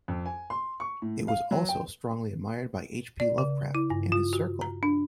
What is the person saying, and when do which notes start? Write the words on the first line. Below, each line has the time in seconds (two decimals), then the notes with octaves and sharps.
It was also strongly admired by H. P. Lovecraft and his circle.
0.08 F2
0.26 G#5
0.50 C6
0.80 C#6
1.02 A2
1.28 F5
1.51 F#3
1.69 G5
3.20 D5
3.38 C#3
3.75 E4
3.90 G2
4.12 F4
4.33 F#4
4.61 A#5
4.83 D4